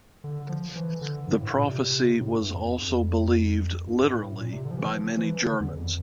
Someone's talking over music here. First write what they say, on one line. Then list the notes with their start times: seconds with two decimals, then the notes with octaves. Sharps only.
The prophecy was also believed literally by many Germans.
0.24 D3
0.49 F3
0.75 E3
1.01 D3
1.28 G2
1.40 A2
1.54 A#2
1.66 C3
2.21 A2
2.31 G2
2.41 G2
2.48 F2
2.78 E2
2.84 F2
3.87 G2
4.13 A2
4.39 A#2
4.52 C3
4.65 D3
4.71 F3
4.78 E3
4.91 F3
5.17 E3
5.36 E3
5.43 D3
5.60 E2
5.77 F2